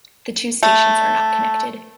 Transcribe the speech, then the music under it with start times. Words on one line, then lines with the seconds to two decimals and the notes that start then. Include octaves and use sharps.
The two stations are not connected.
0.63 A3